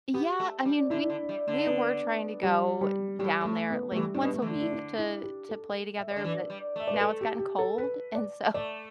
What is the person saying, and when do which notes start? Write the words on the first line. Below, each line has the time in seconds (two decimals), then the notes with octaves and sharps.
Yeah. I mean, we we were trying to go down there, like, once a week to to play together, but now it's gotten cold, and so
0.14 B3 G4
0.40 A3
0.65 G3
0.90 D3 E4
1.10 D3
1.29 G3
1.48 D3
1.66 B3
2.43 G3
2.81 G3
3.19 A2 G3
3.41 A2 A3
3.70 B3
3.92 A3
3.96 E3 G3
4.14 A2 D4
4.21 B2 B3
4.34 A3
4.42 E3
4.47 D3
4.61 E4
4.73 D4
4.98 E4
5.23 G4
5.49 A4
5.98 E5
6.11 D5
6.16 D3
6.24 E3 B4
6.50 G3
6.76 A3 E5
6.87 D5
6.94 B4
7.01 A4
7.21 G4
7.39 G4
7.59 A4
7.78 B4
8.15 D5
8.54 A3 D5